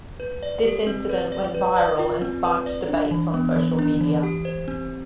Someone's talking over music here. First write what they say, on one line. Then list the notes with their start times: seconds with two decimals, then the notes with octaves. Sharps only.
This incident went viral and sparked debates on social media.
0.20 B4
0.43 D5
0.65 G4
0.87 C4
1.09 B4
1.32 D5
1.55 B4
1.76 D5
1.99 F4
2.22 C4
2.44 B4
2.66 D5
2.89 D4
3.11 E3
3.34 B3
3.56 E3
3.79 D4
4.01 E3
4.23 G4
4.45 C5
4.68 C4